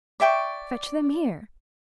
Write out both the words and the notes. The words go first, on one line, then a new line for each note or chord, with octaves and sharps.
"Fetch them here."
D5 E5 G5 C#6